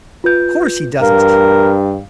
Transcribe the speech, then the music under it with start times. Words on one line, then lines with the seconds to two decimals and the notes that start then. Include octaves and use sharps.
Of course he doesn't.
0.24 F4 B4 G6
1.02 G2 A#4 F5